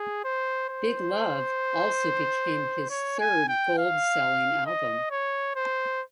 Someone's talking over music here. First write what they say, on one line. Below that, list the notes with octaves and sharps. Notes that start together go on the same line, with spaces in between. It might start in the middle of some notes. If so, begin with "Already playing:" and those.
"Big Love" also became his third gold-selling album.
Already playing: G#4
C5
C5
C#5
G#5
G5
F5
D#5
C#5
C5